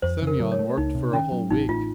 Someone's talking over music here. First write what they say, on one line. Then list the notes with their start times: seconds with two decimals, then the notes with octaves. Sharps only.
Semyon worked for a whole week.
0.02 F2 C5
0.22 C#3
0.27 A#4
0.40 F#3
0.52 C#5
0.59 A3
0.77 C#2 D#4
0.95 C3
1.13 D#3 C#4
1.32 F#3
1.50 A1 D#4
1.69 A2 F4